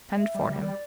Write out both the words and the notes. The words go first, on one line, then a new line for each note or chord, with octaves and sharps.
Send for him.
E5
G3
D5